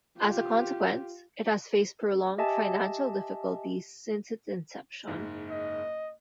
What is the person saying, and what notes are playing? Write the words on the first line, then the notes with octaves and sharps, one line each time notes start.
As a consequence, it has faced prolonged financial difficulties since its inception.
F4 G4
G4 D#5 E5 G#5 A5
F#1 G#2
D#5